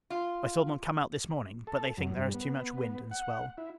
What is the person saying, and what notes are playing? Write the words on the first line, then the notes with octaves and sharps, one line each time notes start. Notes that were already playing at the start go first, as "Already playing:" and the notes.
I saw them come out this morning, but they think there is too much wind and swell.
F4
A4
F#2
G2
B3
F#5
E4